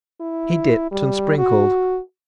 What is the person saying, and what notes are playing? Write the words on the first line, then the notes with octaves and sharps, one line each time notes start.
He dipped and sprinkled.
E4
G3
F#4